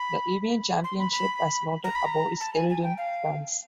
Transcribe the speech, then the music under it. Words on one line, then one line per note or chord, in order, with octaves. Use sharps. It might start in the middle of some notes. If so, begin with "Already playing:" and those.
The Evian Championship, as noted above, is held in France.
Already playing: B5
C6
B5
B5
A#5
B5
A#5
A5
G#5
G#5
G5
F5